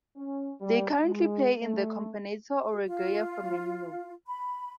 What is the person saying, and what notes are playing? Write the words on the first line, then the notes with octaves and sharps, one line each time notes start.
They currently play in the Campeonato Uruguayo Femenino.
C#4
G3
G#3
A3
F4
B5